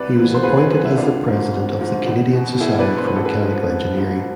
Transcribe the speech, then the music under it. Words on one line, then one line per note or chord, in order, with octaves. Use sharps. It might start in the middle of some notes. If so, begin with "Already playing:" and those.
He was appointed as the President of the Canadian Society for Mechanical Engineering.
Already playing: C2 B4 D5
C3 E3
C5
C2 G#4 B4
G#4 B4
C3 E3 G#4 B4
E4
G#1 D4 F4
G#2 F3
G#1
G#2 F3
E2
B2
E2 E4 G#4
B4 D5
B2
C5
B4
A1 A4
G#4 B4
G#2 F3
A1
G#2 F3